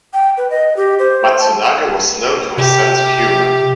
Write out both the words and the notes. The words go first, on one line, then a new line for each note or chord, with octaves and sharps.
Matsunaga was known for his sense of humor.
G5
B4
D#5
G4
C5
A5
C3 G4